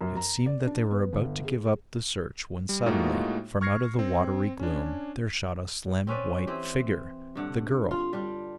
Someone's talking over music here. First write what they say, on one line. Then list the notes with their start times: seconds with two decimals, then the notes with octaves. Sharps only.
It seemed that they were about to give up the search when suddenly, from out of the watery gloom, there shot a slim white figure--the girl!
0.01 F#2
0.17 A#5
0.46 D5
0.67 D4
0.91 B3
1.13 G1
1.45 G#4
2.69 G3
2.86 A2 G#3 A#3 D#4 F4 F#4
3.61 C#6 F6 G#6 A#6 C7 C#7
3.99 C4
4.60 C#4 D4
6.07 C4 C#4 B4 D5
6.47 E3 C4 G4
7.35 G2 D3 F#5
7.91 F4
8.13 G3 D4 F4